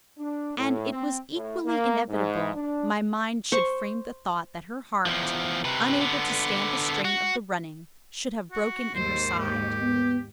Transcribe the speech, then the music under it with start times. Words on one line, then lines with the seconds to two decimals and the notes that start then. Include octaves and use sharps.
And it was equally inevitable my mind should frame the thought that her heart, unable to stand the strain of the running, should have broken in her side.
0.18 D4
0.57 A2
0.92 C4
1.33 A2
1.65 A#3
2.09 G#2
2.55 D4
3.52 C5 C#6
5.06 E2 F3
5.64 C3 B4
6.01 D3 B3
7.05 F#4
8.52 F#4
8.95 D#2 G#2 C5
9.39 G4
9.82 B3